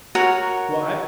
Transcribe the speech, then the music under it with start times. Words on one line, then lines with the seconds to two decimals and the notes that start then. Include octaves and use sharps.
Well, I've
0.15 F#4 A#4 C#5 F#5